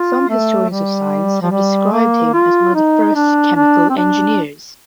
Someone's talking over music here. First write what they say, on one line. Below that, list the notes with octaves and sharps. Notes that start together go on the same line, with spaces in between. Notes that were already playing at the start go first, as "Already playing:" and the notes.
Some historians of science have described him as one of the first chemical engineers.
Already playing: F4
A3
G3
F3
G3
A#3
F4
D#4
D4
D4
C4
D4